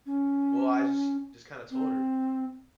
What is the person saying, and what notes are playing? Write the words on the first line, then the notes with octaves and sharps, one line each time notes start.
Well, I just just kinda told her
C#4
C4